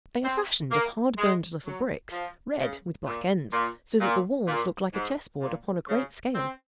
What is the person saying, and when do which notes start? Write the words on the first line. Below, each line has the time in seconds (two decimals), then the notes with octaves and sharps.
They are fashioned of hard-burned little bricks, red, with black ends, so that the walls look like a chess-board upon a great scale.
0.24 C4
0.71 A#3
1.18 G#3
1.66 F#3
2.12 F3
2.59 C#3
3.07 A#2
3.53 A#2
4.01 A#2
4.48 A#2
4.94 G#2
5.41 A#2
5.89 C#3
6.35 C4